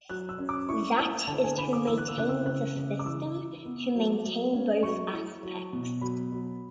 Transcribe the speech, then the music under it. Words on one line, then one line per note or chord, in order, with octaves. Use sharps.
That is to maintain the system to maintain both aspects.
F#3 F#6
E6
C#4
D6
E4 C#6
E4
D3 A5
G#5
D3 B5
D6
E3 E6
F#6
E6
C#3 F#6
E6
C#3 F#6
C#3
D6
E3 E6
E4
B3
F#3
F#3
C#4
F#3 C#6
E4
F#3
B2
F#3 B5
F#3